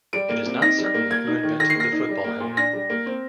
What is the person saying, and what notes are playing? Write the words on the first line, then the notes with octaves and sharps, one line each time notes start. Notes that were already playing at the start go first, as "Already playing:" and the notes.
It is not certain who invented the football helmet.
G3 D7
A#3
C3
D#4 A#6
G3
A#3
A#3 G#6
D#4
D#3
D#3 A#6
C7
A#3 A#6
D#4
G3
A#3
A#2
D4 A#6
G3
A#3
C4